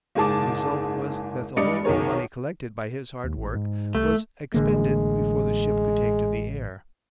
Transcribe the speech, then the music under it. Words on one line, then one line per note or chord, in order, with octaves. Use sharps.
The result was that the whole of the money collected by his hard work was expended before the ship could take to the air.
F#1 G#2 G#4 A5 D6
G2 G#3 D5 D#5 C#7
B1 D#3 G#4 A#4 C#5
D#2
A1
G#2
C2 A3
A1 D3 G#3 A#3